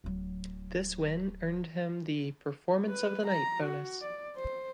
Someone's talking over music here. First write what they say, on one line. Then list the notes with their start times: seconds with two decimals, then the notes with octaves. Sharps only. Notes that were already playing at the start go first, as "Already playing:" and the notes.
This win earned him the "Performance of the Night" bonus.
0.04 D1 F#3
2.89 B4
3.27 A#5
3.64 F#4
4.01 D5
4.36 C5